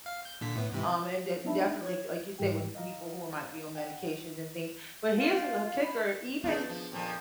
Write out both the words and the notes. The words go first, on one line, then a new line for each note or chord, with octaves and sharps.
Um, and de definitely, like you said, with people who might be on medications and things. But here's, uh, the kicker, even
F5
G6
A#2 D3 B6
A2 B3
G#2 C3 E3
B3 D4 D#4 E5 A5 B5
C#5 G#6
G#2 E3 G3 G4 G5
D#5 F5 A#5
F#5 G5
F4
B5
A3 B3 D4 F4 G#4
F3
F2 A#2 F3